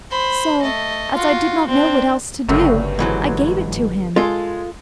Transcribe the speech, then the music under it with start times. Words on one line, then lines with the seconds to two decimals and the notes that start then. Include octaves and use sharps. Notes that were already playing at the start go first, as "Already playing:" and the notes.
So, as I did not know what else to do, I gave it to him.'
0.11 C5 B5
0.62 A3 D#5
1.14 F4 F#4
1.68 C4 D4
2.49 G1 C#2 F#2 A3
2.99 G#2 E3 F#3
4.16 G#3 F4 A4